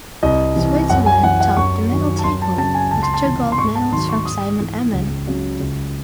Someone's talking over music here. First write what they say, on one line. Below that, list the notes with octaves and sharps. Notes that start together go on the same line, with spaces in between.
Switzerland topped the medal table, with two gold medals from Simon Amman.
C2 D#5
C3 E3
F#2 F#5
G#5
E3 F#5
F#5
F#2 C#6
D#3 F#3
A5
F#2 C6
A5
C#3 F#3 A5
G#5
C#2 A5
C6
A5
C3 E3
C6
G#2 C#6
A5
D#3 F#3 C6
C#6
G#2 D#6
E3
C#2
C#3 F#3
C#2